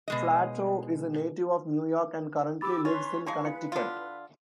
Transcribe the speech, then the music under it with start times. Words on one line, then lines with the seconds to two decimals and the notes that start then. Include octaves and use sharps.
Flatow is a native of New York and currently lives in Connecticut.
0.08 B2 G#3 D#5
2.61 G4 G5 B5 D6 E6 A6
2.85 C#4 B4 C6 A6
3.26 G#3 D#4 F5 G#5 A5 C6 C#6
3.45 E4 B4 F5 C#7
3.72 D3 F4